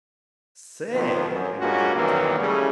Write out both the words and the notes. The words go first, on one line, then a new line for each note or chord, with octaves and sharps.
"Say," interjected Tom.
F2 B2 D#3 F3
F#2
G2 G#3 A#3 C#4 F4 F#4
B1 D#3 E3 F#3 G3 A#3
C#3 G3 A3 C#4 E4 G#4